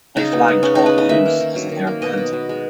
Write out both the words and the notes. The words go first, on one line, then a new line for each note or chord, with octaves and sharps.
They flagged all loose, as if they were panting.
C#3 D#4
B3
C#3
G#3 C#4
C#3 D#4
B4
B3 D#5
D#3 E5
A#3
D#3
F#3
D#3
A#3
B2 D#5
B3
B2
G#3